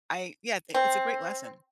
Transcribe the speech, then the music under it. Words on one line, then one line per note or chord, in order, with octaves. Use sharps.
I yeah, it's a great lesson.
C4